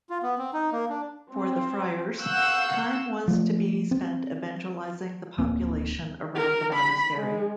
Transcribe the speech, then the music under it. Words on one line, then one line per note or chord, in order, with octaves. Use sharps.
For the friars, time was to be spent evangelizing the population around the monastery.
F4
B3
C4
D#4
A#3
D4
C4
F5 F#5 C#6 E6 F#6 G6
F3 A3
C4
D1 A#3 C4
A#4
B5
G#3